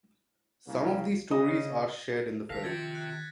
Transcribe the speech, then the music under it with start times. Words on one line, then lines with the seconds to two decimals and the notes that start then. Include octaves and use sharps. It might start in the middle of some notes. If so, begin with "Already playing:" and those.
Some of these stories are shared in the film.
0.68 C2 C#3 A#3
1.31 C#3 D#5
2.50 D#3 A4 A#4 F5 A#6 B6
2.64 C3 F3 G5 G#6 A6 C#7
2.95 F#6